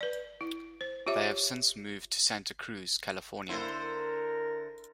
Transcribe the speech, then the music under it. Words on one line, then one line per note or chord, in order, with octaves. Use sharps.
They have since moved to Santa Cruz, California.
B4 D5
E4
C5
F4 G4 C#5 E5 D6
D3 A#3 E4 C5
A#4